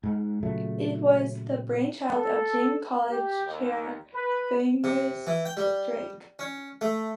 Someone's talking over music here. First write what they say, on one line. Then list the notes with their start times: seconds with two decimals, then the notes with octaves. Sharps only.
It was the brainchild of James College Chair, Fergus Drake.
0.03 G#2
0.43 A#2 C#3 F#3 A3
2.12 A4
3.11 G4
3.47 D#2
4.14 B4
4.84 C3
5.27 E3
5.45 G5
5.57 G3
6.39 C#4
6.81 A3